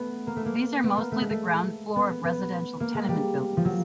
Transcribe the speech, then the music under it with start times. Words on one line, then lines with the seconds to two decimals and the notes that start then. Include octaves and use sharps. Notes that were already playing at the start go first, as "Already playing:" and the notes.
These are mostly the ground floor of residential tenement buildings.
Already playing: A3 B3
0.27 A#3
0.36 A3
0.46 A#3
0.83 B3
0.97 A#3
1.12 A3
1.21 G#3
1.30 A3
1.96 B3
2.25 B3
2.80 A#3
2.94 G#3
3.08 G3
3.57 F3
3.65 F#3